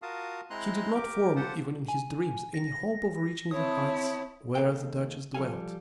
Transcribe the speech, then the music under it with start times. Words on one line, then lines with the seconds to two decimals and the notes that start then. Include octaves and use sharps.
He did not form even in his dreams any hope of reaching the heights where the duchess dwelt.
0.02 F4 F#4 A#4 F5 A5 D#6
0.50 G#3 C4 E4 A#5 C6 F#6
0.95 G4 A#4 D6
1.36 F4 G4 A4 C5 F#5
1.88 G#5
2.54 A#6
3.51 C4 E4 C#5 A5 D#6
4.55 D#2 G#4 A4 F5 G5
5.34 F3 G3 A4 F5 G#5